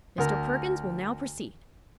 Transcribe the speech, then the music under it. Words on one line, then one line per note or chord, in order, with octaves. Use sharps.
"Mr. Perkins will now proceed."
D2 A#4